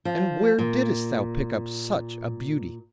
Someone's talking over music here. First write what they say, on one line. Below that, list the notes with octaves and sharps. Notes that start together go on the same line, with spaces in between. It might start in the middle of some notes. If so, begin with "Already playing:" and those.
And where didst thou pick up such a beauty?
F3
A#2